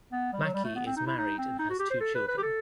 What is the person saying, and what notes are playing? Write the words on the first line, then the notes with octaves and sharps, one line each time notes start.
Mackie is married and has two children.
B3
G3
F#3
G3
A3
B3
C4
D#4
E4
D#4
C4
D#4
F#4
G4
C5
A4
B4
B4
G4
A4